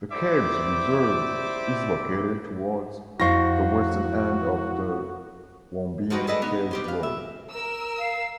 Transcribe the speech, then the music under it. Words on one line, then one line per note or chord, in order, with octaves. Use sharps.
The caves reserve is located towards the western end of the Wombeyan Caves Road.
E4 G4 C5 D5 E5 D6
F2 E4 F#4 C5 F5 C#6 A#6
F3 A3 B3 D#4 F#4 G5
G#4 A4 B4 D5 D#5
B3 D#4
B2 G4 C5
B4 F5
E5
A#4 E6
F5